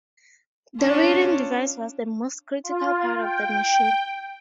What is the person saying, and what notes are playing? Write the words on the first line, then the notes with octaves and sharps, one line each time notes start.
The reading device was the most critical part of the machine.
C#4 D4 F4
F4
G5